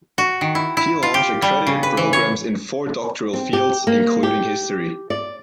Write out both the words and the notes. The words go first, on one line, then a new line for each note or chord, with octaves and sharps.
He launched accredited programs in four doctoral fields, including history.
F#4
D#3
E4
E4
F4
G4
G3
C#3
B4
E3
C#5
C4
G4
A#3
G4
D5